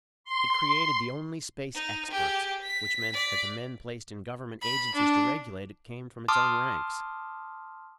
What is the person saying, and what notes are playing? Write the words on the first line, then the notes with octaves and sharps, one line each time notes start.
It created the only space experts, which meant that the men placed in government agencies to regulate it came from its own ranks.
C6
D#4
G4 G#4
B6
D5 B6
B5
D4
A5 C6 D6 D#6 F6